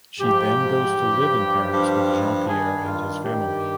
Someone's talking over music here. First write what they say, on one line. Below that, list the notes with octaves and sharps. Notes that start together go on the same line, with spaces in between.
She then goes to live in Paris with Jean-Pierre and his family.
G#2 F3 G4
G2 F3
G2 F3
G2 D#3 G#4
F4
G2 D#3 G4